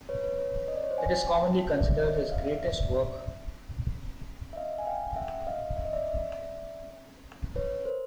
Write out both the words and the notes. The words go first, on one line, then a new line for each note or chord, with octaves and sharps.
It is commonly considered his greatest work.
B4 C#5
B4 C#5
B4 C#5
D#5
D5
C#5
C5 D5
F#5 G#5
G5 A5
D5 E5
C#5 D#5
E5
F5
D5 E5
E5
D#5 F5
G#5
F5 G5
G5
E5 F#5
D#5 F5
E5
D#5
D5 E5
B4 C#5
A#4 C5